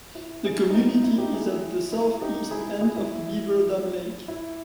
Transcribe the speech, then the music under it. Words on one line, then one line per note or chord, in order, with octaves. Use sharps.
The community is at the southeast end of Beaver Dam Lake.
E4
E4 G#4
D#4
E4
D#4
E4
D#4 G4
E4 G#4
E4
D#4 G4
E4 G#4
E4 G#4
E4
E4